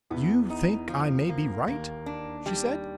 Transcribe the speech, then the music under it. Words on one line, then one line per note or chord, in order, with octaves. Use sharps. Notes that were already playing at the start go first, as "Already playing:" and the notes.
"You think I may be right?" she said.
E2 E3 B3
D#4
F3
A#3
D#2 D#3 A#3
D4
G3